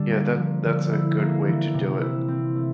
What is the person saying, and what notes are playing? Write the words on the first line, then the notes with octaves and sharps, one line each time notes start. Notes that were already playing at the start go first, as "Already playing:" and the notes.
Yeah, that that's a good way to do it.
Already playing: D3 G3 D4
A#3
F3
D3
E4
A#3
E3
C3
E4
C4
A3